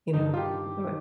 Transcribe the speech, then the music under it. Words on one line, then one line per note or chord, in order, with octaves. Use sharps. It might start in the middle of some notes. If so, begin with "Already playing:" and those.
You know, that would
G2 D#3 D#4
D#4
F4
G4
D#3